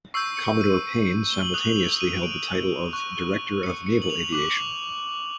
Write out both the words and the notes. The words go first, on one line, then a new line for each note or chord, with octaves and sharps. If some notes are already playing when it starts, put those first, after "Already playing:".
Commodore Paine simultaneously held the title of Director of Naval Aviation.
C#6 E6 G6 C7
C#7
D#7
G7
F#7
D#6 F#6 F7
F#7
F7
D#7
D7
C#6 F#6
C#7
C#7
F#7
F7
D6 F#6 F#7